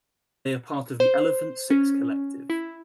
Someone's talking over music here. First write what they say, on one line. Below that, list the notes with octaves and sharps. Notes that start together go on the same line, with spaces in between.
They are part of the Elephant Six Collective.
C5
C#4
E4